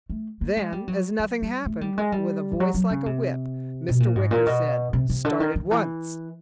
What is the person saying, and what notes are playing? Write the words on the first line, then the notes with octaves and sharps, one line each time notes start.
Then as nothing happened, with a voice like a whip Mr. Wicker said: "Start at once!"
A3
A#3
G#3
G3
F#3
F#3
G3
A3
G3
G#3
G3
F3
F#3
F#3
C#3
C3
B2
A#2
G#2
A#2
B2
C3
C3
D3
D#3
D#3
E3